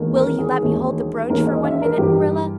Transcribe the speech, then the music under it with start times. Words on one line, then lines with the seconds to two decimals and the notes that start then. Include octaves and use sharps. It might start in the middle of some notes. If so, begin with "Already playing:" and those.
Will you let me hold the brooch for one minute, Marilla?
Already playing: E1 D#2 D#3 A#3
0.16 A#4
0.38 G#4
0.61 E1 D#2 D#3 A#3
1.29 E1 D#2 D#3 A#3 A#4
1.47 D#5
1.65 E5
1.81 A#4
1.98 G2 E3 G3 G4